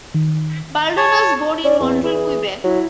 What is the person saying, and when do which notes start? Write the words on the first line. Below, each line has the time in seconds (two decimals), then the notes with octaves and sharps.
Baldwin was born in Montreal, Quebec.
0.14 D#3
0.97 C#5 A5
1.64 C#4 D5
1.81 E2 C4
2.04 E3 G#4
2.64 F#3 E4